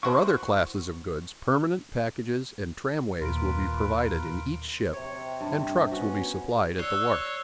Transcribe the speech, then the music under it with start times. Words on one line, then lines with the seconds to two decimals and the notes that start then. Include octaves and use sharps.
For other classes of goods permanent packages and tramways will be provided in each ship, and trucks will be supplied at the wharf.
0.03 E4 F#4 C5 C#6
3.21 D#2 A#2 F4 A#4 B4 D7
4.93 C3 C#5
5.41 G2
5.91 B3 C#4 F#4
6.79 C#5 D5 E6 F#6 C7 G7